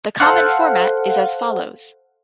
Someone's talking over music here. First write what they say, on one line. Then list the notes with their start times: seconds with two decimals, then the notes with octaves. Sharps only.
The common format is as follows.
0.20 A4 C5 F5 F#5